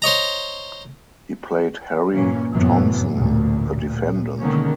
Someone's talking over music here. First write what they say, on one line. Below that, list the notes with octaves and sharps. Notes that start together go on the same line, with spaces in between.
He played Harry Thompson, the defendant.
C5 C#5 D#5 A#5
G2 A#2 E3 A#3 C#4
F1 F#2 A2 E3 F#3 B3
A1 D2 A#2
A#2
B2 D3 D#3 G#3 A#3 C#4